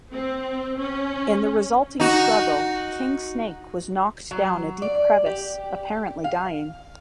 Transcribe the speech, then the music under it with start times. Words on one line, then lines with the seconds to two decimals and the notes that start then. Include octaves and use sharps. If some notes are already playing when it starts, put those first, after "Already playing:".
In the resulting struggle, King Snake was knocked down a deep crevice, apparently dying.
0.13 C4
0.79 C#4
2.00 D#4 F#4
4.31 F#3
4.82 D5
5.26 G4
6.24 F5